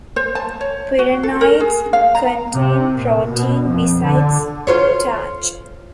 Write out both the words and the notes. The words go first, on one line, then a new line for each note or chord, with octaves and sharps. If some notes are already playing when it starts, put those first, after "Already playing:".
Pyrenoids contain protein besides starch.
C5
A5
C#5
F#4
A4
A#4
G#4
F5
A#5
C3
A#2
B2
F2
D3
F4 C5 C#5